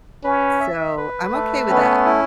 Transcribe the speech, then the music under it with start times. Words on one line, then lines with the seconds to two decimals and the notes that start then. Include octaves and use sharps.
So, I'm okay with that.
0.24 C#4 B4
0.60 E5
0.97 B4
1.33 A3
1.69 B3 C#4
2.06 E4